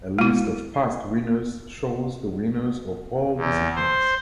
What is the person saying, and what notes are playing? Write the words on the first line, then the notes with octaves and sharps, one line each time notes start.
A list of past winners shows the winners of all disciplines.
G#3 E4
E2
C5